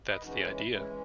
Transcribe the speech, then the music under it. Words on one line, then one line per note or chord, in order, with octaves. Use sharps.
That's the idea.
B4 D#5
E3 G#3 C#4 D#4 F#4
E4
E4
E3 G#3 C#4 E4